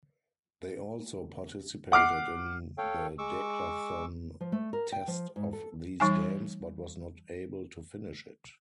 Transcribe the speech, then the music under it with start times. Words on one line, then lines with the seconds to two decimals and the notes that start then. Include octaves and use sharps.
They also participated in the decathlon test of these Games, but was not able to finish it.
1.92 F#5 D6 F6 C7
2.78 A4 C#5 F5 G5
3.18 G#3 C#6 D6 E6
4.41 F3
4.52 A3
4.73 A#4
4.92 G5
5.08 F3
5.36 G#2
5.53 A4
6.00 E3 G3 D#4 G#5